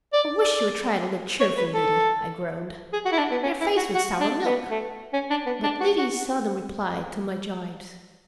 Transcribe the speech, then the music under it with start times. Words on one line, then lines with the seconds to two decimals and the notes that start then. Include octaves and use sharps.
"I wish you would try to look cheerful, Liddy," I groaned, "your face would sour milk." But Liddy seldom replied to my gibes.
0.13 D5
0.39 D5
1.40 C#5
1.57 B4
1.74 A4
2.93 G#4
3.05 F#4
3.12 E4
3.18 D4
3.31 B3
3.43 C#4
3.61 E4
3.77 F#4
3.94 F#4
4.20 D4
4.45 B3
4.70 A3
5.13 C#4
5.30 D4
5.46 B3
5.63 D4
5.80 F#4
5.98 F#4